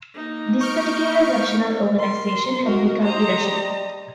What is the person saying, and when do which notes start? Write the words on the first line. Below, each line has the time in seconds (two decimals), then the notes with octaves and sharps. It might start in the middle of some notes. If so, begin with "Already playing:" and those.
This particular rational organisation had become irrational.
0.14 A#3 D#4
0.61 C#6 F6 G6 D7
1.99 A#4 C6
2.65 D#4 F#4 A#4
3.03 G4 C5 D#5 A#5
3.43 G3